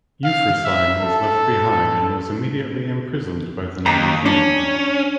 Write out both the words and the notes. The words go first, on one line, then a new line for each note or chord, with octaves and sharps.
Euphrosyne was left behind and was immediately imprisoned by the new regime.
F5
E5
A4
D#2 A#5
C#4 D4